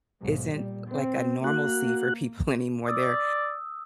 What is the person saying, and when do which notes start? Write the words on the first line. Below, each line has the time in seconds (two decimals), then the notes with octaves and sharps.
isn't like a normalcy for people anymore. They're
0.21 B1 G#2
0.52 A#2 G3
0.88 C4
1.44 A#3 F#4 F#6
2.88 D5 D#6 E6